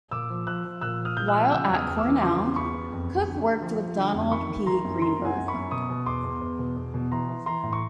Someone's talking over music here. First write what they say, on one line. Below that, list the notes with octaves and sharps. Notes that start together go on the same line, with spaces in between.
While at Cornell, Cook worked with Donald P. Greenberg.
A#2 D6 E6
F3
F3 E6 F#6
F3
A#2 E6 F#6
F3
D#6 F6
A#2 G6
E6 F#6
F3
C#3 E6 F#6
E2
D#6 F6
E2
D6 E6
E3
C#3 C6 D6
E2
E2 B5 C#6
E2
F2
F2
D3
D3
F3
F3
D3
F2
D#3 B5 C#6
D#3
D#3 A#5 C6
F#2
D#3 A#5 C6
F#2
F#5 G#5
F#2
B5 C#6
F#2
B2 C#6 D#6
B2
E2 C6 D6
E2
E2
B2
E2
B2
E3 A#5 C6
E3
E3 A#5 C6
A2
C#6